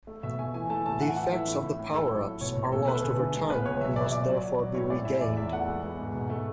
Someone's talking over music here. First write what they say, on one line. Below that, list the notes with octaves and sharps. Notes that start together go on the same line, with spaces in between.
The effects of the power-ups are lost over time and must therefore be regained.
A3
B2 E5
A3 G#5
E3 G#5
A3 A5
A2 A5
E3 F#5
E3 F#5
A3 E5
A2
A2
A2
A2 A4
F#3
A2
B2 C#5
B2
B2 A4
A3 B4
A4
D2 G#4
A4
D3
G#3
B3 B4
C#2 C#5
F#3 E5
B2 D5
F#3 D5
F#3
F#3
F#3
A2 C#5
G#3 D5
A2 E5
E2 D5
E2 E5
A3 F#5
G#3
B3
G#2
B2
A3